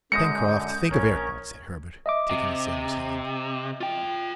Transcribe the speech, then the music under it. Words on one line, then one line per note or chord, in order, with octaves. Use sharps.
"Pencroft, think of Ayrton!" said Herbert, taking the sailor's hand.
F#2 D3 G#3 D#6 G6 A#6 C#7
A#1 C#4 A#4
D#5 E5 D6
C3
F4 G5